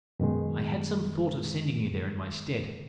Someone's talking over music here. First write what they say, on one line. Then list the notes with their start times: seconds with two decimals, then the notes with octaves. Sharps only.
I had some thought of sending you there in my stead.
0.20 F#2 B2 D#3 G#3